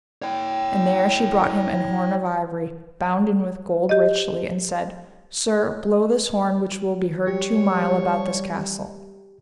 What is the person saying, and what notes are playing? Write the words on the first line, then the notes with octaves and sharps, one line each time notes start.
And there she brought him an horn of ivory, bounden with gold richly, and said: Sir, blow this horn which will be heard two mile about this castle.
C#5 G5
G4 D#5
G3 G4 C#5